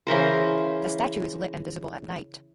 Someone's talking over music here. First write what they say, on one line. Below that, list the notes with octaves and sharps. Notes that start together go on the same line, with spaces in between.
The statue is lit and visible at night.
C#3 E3 A#4 C5